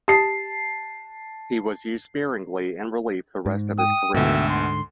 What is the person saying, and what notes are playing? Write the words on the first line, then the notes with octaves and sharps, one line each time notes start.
He was used sparingly in relief the rest of his career.
G4 A5 C7
G#2
G5 D#6
D2 G#2 B2 D3 E5
C6